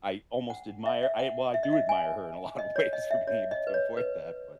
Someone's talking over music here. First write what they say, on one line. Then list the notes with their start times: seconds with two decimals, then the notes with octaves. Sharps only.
I almost admire I well, I do admire her in a lot of ways for being able to avoid that, but
0.50 F#5
0.86 E5
1.03 E5
1.19 F#5
1.54 E5
1.63 D#5
1.73 E5
1.89 G#5
2.59 D#5
2.76 C#5
2.93 D#5
3.11 E5
3.28 C#5
3.51 D#5
3.67 B4
3.74 C#5
3.97 B4